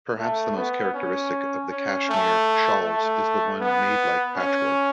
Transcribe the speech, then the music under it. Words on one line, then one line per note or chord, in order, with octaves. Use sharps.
Perhaps the most characteristic of the Kashmir shawls is the one made like patchwork.
A3
B3
C#4
C#4
A3
A3
B3
C#4